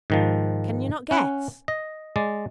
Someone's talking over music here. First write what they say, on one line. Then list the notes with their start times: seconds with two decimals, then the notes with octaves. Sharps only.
Can you not guess?
0.10 G#2 D#3 F3
1.11 C#4 F#5
1.68 D#5
2.16 G#3 D5